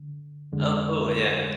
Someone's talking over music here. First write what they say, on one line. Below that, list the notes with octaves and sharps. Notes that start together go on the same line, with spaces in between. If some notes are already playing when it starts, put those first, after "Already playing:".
Oh cool, yeah.
Already playing: D3
F2 D3 G#3